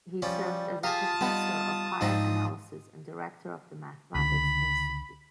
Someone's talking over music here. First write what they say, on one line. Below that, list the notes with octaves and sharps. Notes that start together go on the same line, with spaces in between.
He served as a professor of higher analysis and Director of the Mathematics Institute.
F3 G3 C#4 D5
F4 G4 G#4 F5 A5 D#6
G3 B3 D#4
G#2 F3 C4 D4 D#4
C#2 D3 B5